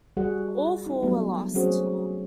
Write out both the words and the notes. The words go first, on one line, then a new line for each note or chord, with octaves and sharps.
All four were lost.
G3 F#4 G#4 F#5
D#4 E4
F#3 G3 A3 B3 D4
F#3 C4 C#4 F#4 G#4 C5
A3